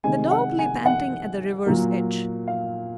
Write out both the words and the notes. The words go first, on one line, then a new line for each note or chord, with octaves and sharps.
The dog lay panting at the river's edge.
C3 D#3 G#3 G#5
F#5
G#5
F#5
A#2 F#3 A#3
F5